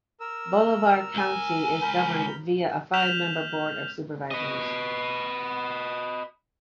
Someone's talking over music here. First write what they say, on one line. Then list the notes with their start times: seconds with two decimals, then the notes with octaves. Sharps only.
Bolivar County is governed via a five-member board of supervisors.
0.20 A#4 E6
1.15 C#2 G#5
1.82 A#4 B5 G6
2.94 F6 G6 B6 E7 F7
4.31 B4 D#5